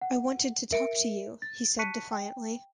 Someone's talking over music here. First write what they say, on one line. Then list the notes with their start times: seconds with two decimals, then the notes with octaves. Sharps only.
"I wanted to talk to you," he said defiantly.
0.02 F#5
0.72 A#4 E5 C#7 D7
1.42 A6
1.79 A5 C#6 F#6 B6 C#7 D#7
2.12 G5